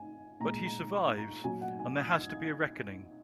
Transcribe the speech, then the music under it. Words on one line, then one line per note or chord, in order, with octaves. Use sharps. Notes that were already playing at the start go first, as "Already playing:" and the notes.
But he survives, and there has to be a reckoning.
Already playing: G#5
A#2 G#3 A#5
A#5
C#6
A#5
A#2 F#3 G#5
F#5
G#5
D#6
G#6
G#6